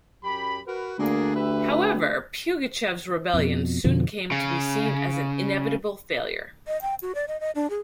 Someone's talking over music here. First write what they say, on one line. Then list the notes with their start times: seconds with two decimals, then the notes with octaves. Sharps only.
However, Pugachev's Rebellion soon came to be seen as an inevitable failure.
0.24 F#2 G4 B5
0.67 F#4 A#4 B4
0.99 D2 A#3 D4 G#4
1.35 G4 B4 E5
3.34 F2 B2
3.84 F2 B2 D3 F3
4.32 C#3
6.67 D#5
6.82 G5
7.02 F#4
7.15 D5
7.28 D#5
7.41 D#5
7.55 D4
7.70 G#4